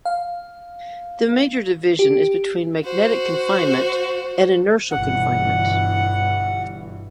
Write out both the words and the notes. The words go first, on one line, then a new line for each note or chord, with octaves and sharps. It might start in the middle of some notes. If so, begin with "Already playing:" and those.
The major division is between magnetic confinement and inertial confinement.
F5
G4
F#4 C5
G1 B2 E3 F#5